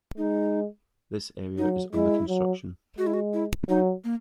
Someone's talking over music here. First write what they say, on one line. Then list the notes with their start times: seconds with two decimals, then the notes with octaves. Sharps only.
This area is under construction.
0.18 G#3 D#4
1.58 F#3 D#4
1.93 G#3 E4
2.28 F#3
2.98 G#3 F#4
3.07 E4
3.14 F#4
3.34 E4
3.69 F#3 D#4
4.04 A#3